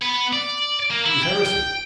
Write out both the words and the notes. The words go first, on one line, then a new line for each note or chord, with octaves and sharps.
It was heresy.
B3
D5
A#3
E4
G5
G5